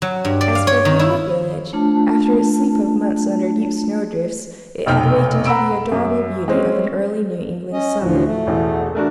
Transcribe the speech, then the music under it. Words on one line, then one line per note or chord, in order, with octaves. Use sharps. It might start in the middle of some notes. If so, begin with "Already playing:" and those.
As for Beulah village, after its sleep of months under deep snow-drifts it had waked into the adorable beauty of an early New England summer.
F#3
G2
D5
F5
C#5
D#3
E4
A3 D4 F4 A5
F1 B1 G5 F6
F#5 A#5 B5 E6 D7
F#2
G#3 C4 C#4
C#4 D#5
D2 A2 F3 F#4
A3
E1 A1 E3
A3 D4 F#4 A#4